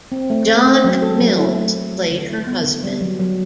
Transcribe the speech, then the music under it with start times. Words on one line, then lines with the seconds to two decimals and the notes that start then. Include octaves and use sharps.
John Mills played her husband.
0.12 C4
0.30 A3
0.48 A3
0.65 C4
0.85 F#3
1.02 A4
1.21 F#3
1.38 E4
1.56 A3
1.75 A3
1.93 G3
2.11 D3
2.29 E4
2.47 B3
2.65 D3
2.84 G3
3.01 F#3
3.20 F#3